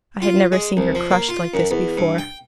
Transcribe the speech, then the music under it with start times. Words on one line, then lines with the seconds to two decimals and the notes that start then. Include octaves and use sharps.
I had never seen her crushed like this before.
0.22 F4
0.52 G#3
0.77 C2
0.95 F3
1.11 A#3
1.29 F4
1.54 F#2
1.71 E2
1.97 G2
2.18 G5